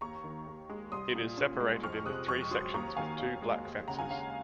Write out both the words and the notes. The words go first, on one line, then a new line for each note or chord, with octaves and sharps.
It is separated into three sections with two black fences.
D#2 A#5 C#6
D#3
D#2
G#3
C2 C6 D#6
A#2
C#4
G#3
F2 C#6 F6
C3 D#6 F#6
F2 C#6 F6
F#3 C6 D#6
D#2 A#5 C#6
D#3 F5 G#5
D#2
G#3
D#2
C#3 F#5 A#5
F5 G#5
C#4 F5